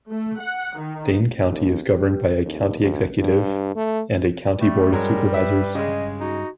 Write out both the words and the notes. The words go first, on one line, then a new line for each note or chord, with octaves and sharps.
Dane County is governed by a county executive and a County Board of Supervisors.
A3
F#5
D#3
D#2
G4
D#2
D2
G2
A3
G3 A3
G2 F#3 G#3 A#4
B4 E5
C#3 G#3 D#5
D#4 F#4